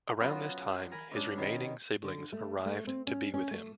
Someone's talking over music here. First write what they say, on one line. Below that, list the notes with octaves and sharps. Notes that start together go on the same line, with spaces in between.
Around this time, his remaining siblings arrived to be with him.
F#3 B3 C#4 F4 F#4
A#4 G#5 A#5 B5
C#2 C#4 D4
B2 D#3 C#4
D3
A3
A3
C4
C#4
C#4
A3